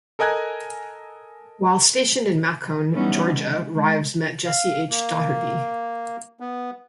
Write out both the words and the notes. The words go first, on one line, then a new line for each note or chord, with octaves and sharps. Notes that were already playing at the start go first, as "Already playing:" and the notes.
While stationed in Macon, Georgia, Rives met Jessie H. Daugherty.
A4 A#4 D#5 G#5 F#6 G#6
E3 G3 B3 C#4 D#4
G#3
G#3
F5
A#3
B3